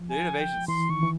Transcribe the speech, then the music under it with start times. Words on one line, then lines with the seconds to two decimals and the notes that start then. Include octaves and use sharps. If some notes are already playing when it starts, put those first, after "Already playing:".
The innovation's
Already playing: F3
0.10 G#5
0.39 G5
0.68 E3 C6
0.89 D#3 C#6
1.03 E3